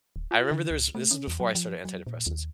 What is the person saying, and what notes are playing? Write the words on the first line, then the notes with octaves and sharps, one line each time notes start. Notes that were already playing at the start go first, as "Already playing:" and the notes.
I remember there was this is before I started antidepressants.
D1
F4
D3
C#2
A3
C#4
E2
F#3
F3
F#3
A#2
D#2